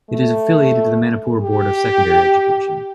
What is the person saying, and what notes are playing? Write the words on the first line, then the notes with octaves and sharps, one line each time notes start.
It is affiliated to the Manipur Board of Secondary Education.
A3
G4